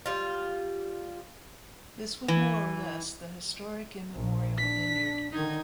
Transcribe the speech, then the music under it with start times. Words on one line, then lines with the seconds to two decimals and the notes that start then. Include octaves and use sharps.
This was more or less the historic, immemorial vineyard.
0.06 G3 F4
2.28 E3
4.13 A#1
4.58 D4 B6
5.32 D3 D#3 D#4 G#6